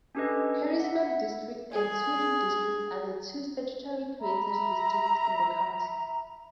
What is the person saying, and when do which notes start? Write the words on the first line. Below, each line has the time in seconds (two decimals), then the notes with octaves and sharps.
Careysburg District and Todee District are the two statutorily created districts in the county.
0.15 C#4 D4 G4 A4 B4 D#5
0.80 E5 F#5
1.72 G#4
4.21 E5 A#5 B5